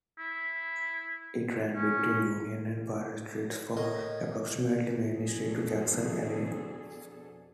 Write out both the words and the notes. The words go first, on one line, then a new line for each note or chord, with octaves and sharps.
It ran between Union and Prior Streets from approximately Main Street to Jackson Avenue.
E4
C#4
A2 A#4 D#5
F2 B2 D4 G#4 A4